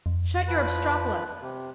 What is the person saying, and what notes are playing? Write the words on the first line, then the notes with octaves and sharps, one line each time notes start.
Shut your obstropolos.
F2
F3 B4 F#6
C3